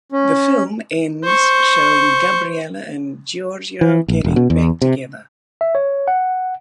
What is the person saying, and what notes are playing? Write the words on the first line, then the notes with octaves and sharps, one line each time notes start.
The film ends showing Gabriella and Giorgio getting back together.
C#4
C5 C#6
E3
A#1
E1
B2
E2
C3
E5
C#5
F#5